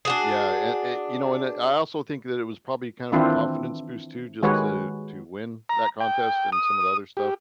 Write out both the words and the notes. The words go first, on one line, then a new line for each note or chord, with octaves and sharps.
Yeah, and eh, you know, and eh I also think that it was probably kind of a confidence boost too, just to to win that contest and some of the other stuff.
D4 F#4 G#4
D#3 E3 C4 D4 E4 F4
D#3 G#3 F#4 G4 B4 C#5
A#5
G5
D#6
G4